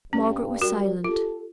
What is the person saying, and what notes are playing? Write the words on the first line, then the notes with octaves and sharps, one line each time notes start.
Margaret was silent.
G2 C#4
G3 F#4 A#4
F4 G4 A4